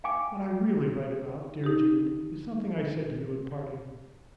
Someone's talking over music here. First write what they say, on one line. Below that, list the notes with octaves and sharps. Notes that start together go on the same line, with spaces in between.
What I really write about, dear Jude, is something I said to you at parting.
F5 G5 G#5 D6
D#4 G4